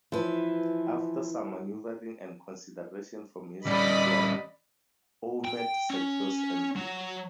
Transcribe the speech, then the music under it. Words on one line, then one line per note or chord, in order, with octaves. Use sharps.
After some maneuvering and consideration from his employer, Ouimet secures entry.
E3 F3 B4
G3 C#4 D5 D#5 B5
G5
C#4
F#3